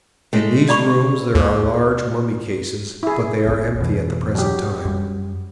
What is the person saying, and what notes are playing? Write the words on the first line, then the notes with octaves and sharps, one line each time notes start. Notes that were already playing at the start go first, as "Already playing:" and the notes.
In these rooms there are large mummy cases, but they are empty at the present time.
G#3 A3
D5 B5 C#6
D#2
E4 G#4
F#1 C2 A2
F2 B2 E3
F#3 G4
F#2 G3